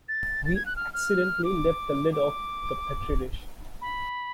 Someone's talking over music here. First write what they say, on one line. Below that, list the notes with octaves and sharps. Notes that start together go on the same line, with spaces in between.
We accidentally left the lid off the petri dish.
A6
A6
G#6
F#6
F6
F6
D6
D6
B5